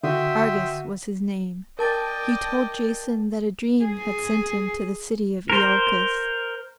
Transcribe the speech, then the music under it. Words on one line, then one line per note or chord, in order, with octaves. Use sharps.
Argus was his name. He told Jason that a dream had sent him to the city of Iolcus.
D3 F#4 E5 G5 C6 D#6
A#4 D5 D#5 G5 A5 A6
G#4
A#4 C5